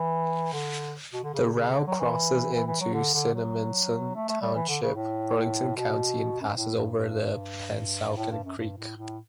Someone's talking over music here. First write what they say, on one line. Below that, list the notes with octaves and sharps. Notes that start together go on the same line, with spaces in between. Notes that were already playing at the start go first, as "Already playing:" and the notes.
The route crosses into Cinnaminson Township, Burlington County and passes over the Pennsauken Creek.
Already playing: E3
D3
B2
D3
C#3
C#3
D3
F#3
E3
E3
E3
F#3
D3
D3
F#3
A3
A3
G3
E3
D3
C#3
A2
B2
F#2
G2
A2
G2
G2
A2
G2
F#2
G2
A2
A2